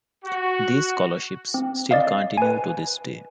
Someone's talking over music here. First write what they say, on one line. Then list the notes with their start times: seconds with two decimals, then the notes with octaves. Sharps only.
These scholarships still continue to this day.
0.24 F#4
1.54 C4
1.91 D5 D#5 F5
2.38 B4 G#5